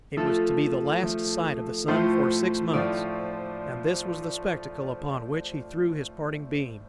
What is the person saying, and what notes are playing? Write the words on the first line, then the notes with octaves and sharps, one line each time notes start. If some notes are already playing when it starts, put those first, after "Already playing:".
It was to be the last sight of the sun for six months, and this was the spectacle upon which he threw his parting beam.
F3 A3 F4 A4
F3 A3 F4
A2 F3 A3 F4 C5
A2 F3 A3 F4 D5